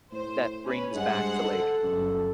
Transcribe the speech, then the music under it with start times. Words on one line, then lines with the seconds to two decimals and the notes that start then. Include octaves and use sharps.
that brings back to, like,
0.12 A2 C5
0.64 C#4 B4
0.94 G2 G#3 C5 F#5
1.43 A4
1.83 G1 F#2